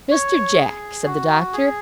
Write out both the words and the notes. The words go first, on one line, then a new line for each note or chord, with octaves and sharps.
'Mr. Jack!' said the Doctor.
C#5
G#4
F#4
G#4